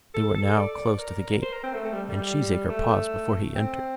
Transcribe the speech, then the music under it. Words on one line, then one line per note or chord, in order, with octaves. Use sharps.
They were now close to the gate, and Cheesacre paused before he entered.
A4
A4
D5
A#4
C5
A#4
C4
A3
A3
G3
G3
A3
C4